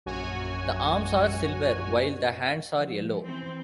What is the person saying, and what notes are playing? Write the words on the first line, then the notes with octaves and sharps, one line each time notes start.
The arms are silver, while the hands are yellow.
A#1 F#2 F#4 C#5 G#5
F3
E3 C4